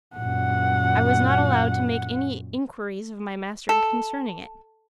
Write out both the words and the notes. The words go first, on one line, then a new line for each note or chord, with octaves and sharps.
I was not allowed to make any inquiries of my master concerning it.
F#2 A#2 F#5
A4